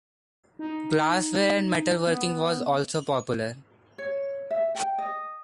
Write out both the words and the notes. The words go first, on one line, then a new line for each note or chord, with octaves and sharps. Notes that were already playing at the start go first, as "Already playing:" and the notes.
Glassware and metalworking was also popular.
D#4
B3
C#5
E5
G5
D#5